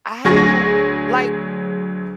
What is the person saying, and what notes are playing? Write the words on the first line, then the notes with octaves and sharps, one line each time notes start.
I don't like,
D2 F#3 G#4 C#6 A#6